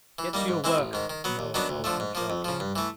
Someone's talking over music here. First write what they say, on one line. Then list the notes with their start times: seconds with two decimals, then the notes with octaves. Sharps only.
"Get to your work," Moa told him sharply.
0.19 E3
0.33 G3 A#3 D#4
0.48 G#2
0.64 E3 G#3 C4 E4
0.78 A1
0.93 G#2 D#3
1.10 D#3
1.24 F#3 B3
1.39 D#2
1.54 D#3 F#3 B3 D4
1.69 D2
1.84 D3 F3 A3
2.00 G#2
2.15 F3 A#3
2.30 F2
2.45 C#3 F3
2.60 G2
2.76 E3 A3